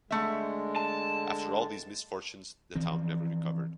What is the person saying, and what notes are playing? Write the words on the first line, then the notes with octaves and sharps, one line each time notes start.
After all these misfortunes, the town never recovered.
D3 G#3 A3 E5
A5
E3 F3 C4